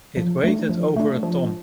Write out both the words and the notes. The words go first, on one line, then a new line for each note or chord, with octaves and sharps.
It weighed over a ton.
F3
A3 D4
F3
A3 D4
F3